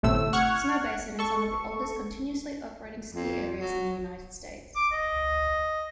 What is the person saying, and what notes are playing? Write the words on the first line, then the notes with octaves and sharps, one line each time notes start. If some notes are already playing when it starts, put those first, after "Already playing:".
Snowbasin is one of the oldest continuously operating ski areas in the United States.
G1 A2 C3 A3 E6
F#5 C#6 F6 F#6 G#6
A4 C#6
F2
F#3
D6
D#5